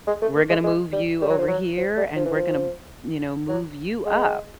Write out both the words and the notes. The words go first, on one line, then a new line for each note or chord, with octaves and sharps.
"We're gonna move you over here, and we're gonna," you know, "move you up."
G#3
A3
A#3
G#3
G#3
G3
G3
F#3
F3
F#3
F3
G3
F3
E3
F3
F#3
G#3